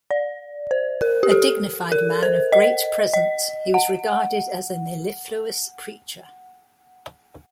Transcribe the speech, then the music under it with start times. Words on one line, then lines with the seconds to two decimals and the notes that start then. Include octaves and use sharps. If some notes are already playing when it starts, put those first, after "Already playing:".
A dignified man of great presence, he was regarded as a mellifluous preacher.
0.11 D5
0.71 C5
1.02 A#4
1.23 G4
1.32 A4
1.92 A#4
2.23 C5
2.52 D#5
3.14 D#5
3.74 F#5